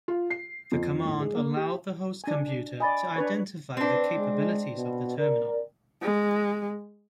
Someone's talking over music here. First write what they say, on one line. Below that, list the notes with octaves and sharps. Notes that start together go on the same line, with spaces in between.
The command allowed the host computer to identify the capabilities of the terminal.
F4
C7
F2
A2
G#3
A#3
G4
D4 G#5
D5 D#5 G#5 B5 A6
D4 B4 C#5
C4 D4 B4
G#3
B2
A#4 D5
G#3